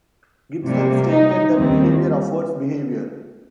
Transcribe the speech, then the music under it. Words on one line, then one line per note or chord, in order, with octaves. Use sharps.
Gibson stated that behavior affords behavior.
C3 G3 A#3
D#4
D#2 D#3 G3 C4